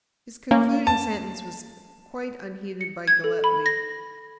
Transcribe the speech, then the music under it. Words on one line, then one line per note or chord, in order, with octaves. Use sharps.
His concluding sentence was quite unheeded by Galletly.
A#3 C#4
A5
C#7
G#6
A4
B5
A#6